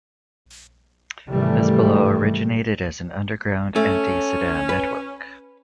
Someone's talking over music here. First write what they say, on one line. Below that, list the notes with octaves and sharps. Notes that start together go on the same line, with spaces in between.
Hezbollah originated as an underground anti-Saddam network.
G#2 C3 D#3 E3 G3 A3
A3 C#4
B4